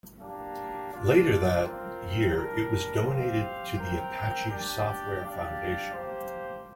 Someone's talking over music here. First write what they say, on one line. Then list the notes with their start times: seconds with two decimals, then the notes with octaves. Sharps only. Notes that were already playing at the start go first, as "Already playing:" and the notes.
Later that year it was donated to the Apache Software Foundation.
0.20 A#3 D4 G4
0.92 D4 F4 D5 F5
1.63 C4 F4 A#4 G5
2.34 G3 D4 A#4
3.06 C4 G4 C5 F5
3.77 C4 A#4 G5
4.49 D4 G4 D5 G5
5.21 D4 G4 D5 F5
5.93 A#3 G4 C5